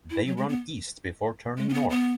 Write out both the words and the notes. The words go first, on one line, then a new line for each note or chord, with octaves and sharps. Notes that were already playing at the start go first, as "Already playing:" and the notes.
They run east before turning north.
E4
F#3
G#3
B3
G#3
C#4
B3
B3